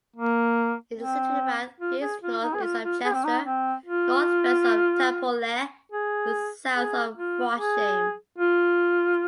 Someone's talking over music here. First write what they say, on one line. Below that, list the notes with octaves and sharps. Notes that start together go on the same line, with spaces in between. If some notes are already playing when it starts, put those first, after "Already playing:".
It is situated about east-north-east of Chester, north-west of Tarporley, and south of Frodsham.
A#3
C4
F4
G#4
F4
D#4
G#4
F4
F4
G#4
C4
D#4
C4
F4
G#4
G#4
F4
G#4
F4